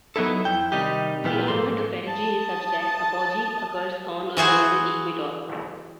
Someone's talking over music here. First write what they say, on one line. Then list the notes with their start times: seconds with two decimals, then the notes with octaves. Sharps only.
The argument of perigee is such that apogee occurs on or near the equator.
0.16 F#3 B3 D#4 E4 A4
0.45 F2 E4 G5
0.72 C3 D#3 G3 D#4 G4
1.24 A#2 E3 B3 F4 G4
1.48 G#2 F3 A#3 A4 C6
2.07 A5 D#6
4.37 E3 F#4 G#4 C5